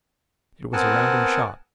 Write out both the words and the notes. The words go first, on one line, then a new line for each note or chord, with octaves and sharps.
It was a random shot.
B3 C4 A#4 F#5 G#5 A5